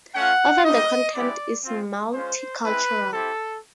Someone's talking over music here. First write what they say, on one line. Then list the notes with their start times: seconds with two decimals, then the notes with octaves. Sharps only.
Often the content is multicultural.
0.15 A3 C#4 F4 F#5
0.64 G3 B3 D#4 D#5
1.14 G#3 B3 E4 G4 D5
1.63 C4 F4
2.13 G#3 C#4 F4 C5
2.63 G#3 C4 E4 B4
3.13 C4 E4 G4 A4